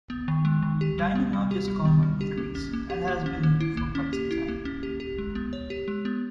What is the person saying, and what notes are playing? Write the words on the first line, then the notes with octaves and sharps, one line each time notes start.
Dining out is common in Greece, and has been for quite some time.
B3
D#3
G#3
D#3
G4
G3
B3
G3
G4
G3
B3
G3
G4
A#3
C#4
A#3
G4
A#3
C#4
A#3
E4
A#3
C#4
G4
E4
A#3
C#4
G4
G4
G#3
B3
C#5
G4
G#3
B3